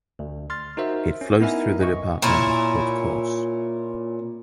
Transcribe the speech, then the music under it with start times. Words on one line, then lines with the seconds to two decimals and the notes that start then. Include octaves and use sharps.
It flows through the department of Haute-Corse.
0.19 D2
0.50 C6 F6 A6
0.77 D#4 F#4 A#4 C5 E5
1.21 C#4
1.40 B3 D#4 E4 A#4 E5 G#5
1.79 F#2 D#5 C#6
2.22 A#2 C#4 E4